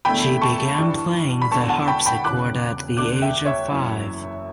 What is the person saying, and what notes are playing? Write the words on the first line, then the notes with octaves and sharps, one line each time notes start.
She began playing the harpsichord at the age of five.
E1 E2 D3 A3 G5 B5
A5 C#6
G2 E3 G3 D4
B5
E1 E2 D3 A5 C#6
F#5 A5
G5 B5
G5 B5
E1 E2 C#3 D6 F#6
E1 D2 D3 D6 F#6
E5 G5
C#5 E5
F#1 F#2 E3